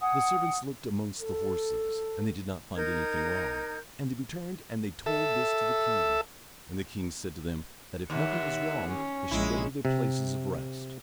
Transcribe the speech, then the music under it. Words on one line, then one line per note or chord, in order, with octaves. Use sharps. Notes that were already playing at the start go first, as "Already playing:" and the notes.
The servants looked amongst the horses, and they did not find anything wrong; and they returned and they told this to the king, and the king said to them that if nothing was wrong they should go to their places of rest.
F#5 G#5 D#6
A4
D#4 A#4 G6 G#6
A4 E5
D#2 E5 F#5
C#4
A#1 G#3 E4
C3